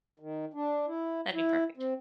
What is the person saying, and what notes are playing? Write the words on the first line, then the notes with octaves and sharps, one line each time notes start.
That'd be perfect.
D#3
D4
E4
E4
C4